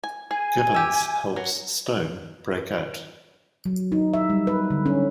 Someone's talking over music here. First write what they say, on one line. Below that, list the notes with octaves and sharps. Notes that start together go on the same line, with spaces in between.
Gibbons helps Stone break out.
G#5
G#4 G#5
G4 E5
F#3
F#3
D#4
E5
G3
B4
D3
C#4